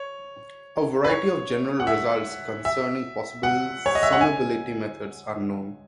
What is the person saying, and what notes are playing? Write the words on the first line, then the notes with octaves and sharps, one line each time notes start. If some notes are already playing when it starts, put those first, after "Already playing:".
A variety of general results concerning possible summability methods are known.
Already playing: C#5
B4
C#5
F#5
E5
E5
F#5
C#5
D#5
E5
F#5
G#5